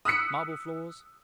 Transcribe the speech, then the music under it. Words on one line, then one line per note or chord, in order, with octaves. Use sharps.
Marble floors.
D#6 E6 F#6 B6 C#7